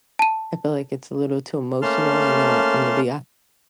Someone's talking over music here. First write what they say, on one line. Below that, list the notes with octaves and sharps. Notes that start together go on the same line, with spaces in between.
I feel like it's a little too emotional. I know I I'm gonna be a
A5 D#7
A3 A#3 C#4 A5 C6 F6